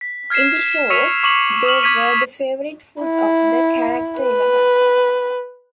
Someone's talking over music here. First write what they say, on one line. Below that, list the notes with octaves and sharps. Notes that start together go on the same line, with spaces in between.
In the show, they were the favorite food of the character Eleven.
B6
F6 G#6 B6 C7 E7
C#6 E6 B6 C#7 D#7 F7
C#6 D6 F#7
C#6 D#6 F6 F#7
D6 G#6 B6 D#7
E4
B4